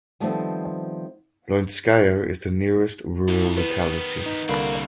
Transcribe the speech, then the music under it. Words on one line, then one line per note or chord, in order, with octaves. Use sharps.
Loinskaya is the nearest rural locality.
D#3 F3 G3 A3 B3 C4
F2 E4
D#3 B3 B4
D#4
C2 D3 A#3 C4 F#4 B5